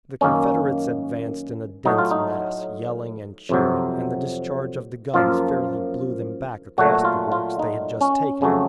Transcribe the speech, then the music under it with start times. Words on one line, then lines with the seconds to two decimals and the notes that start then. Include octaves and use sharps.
The Confederates advanced in a dense mass, yelling and cheering, and the discharge of the guns fairly blew them back across the work's they had just taken.
0.21 F#2 D#3 A#3 C#4
1.85 A2 F#3 A3 D#4
1.98 F4
2.11 D#4
3.49 F2 C3 F#3
5.14 F#2 F3 A#3 F4
6.78 A#2 F#3 A3 F#4
7.05 F4
7.32 F4
7.59 D#4
8.01 C#4
8.41 F2 C#3 F#3 A3